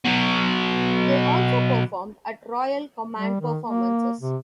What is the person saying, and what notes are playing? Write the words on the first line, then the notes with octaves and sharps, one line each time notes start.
They also performed at Royal Command Performances.
B2 F#3
G3
D#3
A#3
C3